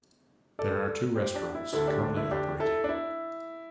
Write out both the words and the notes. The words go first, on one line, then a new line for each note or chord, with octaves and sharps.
There are two restaurants currently operating.
A4 D5
G4 C5
D4 G4
E4
D2 D3 E4 A4
D4 G4
D4
E4
D4 G4
E4 A4
D4
E4